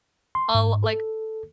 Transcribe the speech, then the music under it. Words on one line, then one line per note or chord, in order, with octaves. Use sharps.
I'll, like
C6
G#2
A4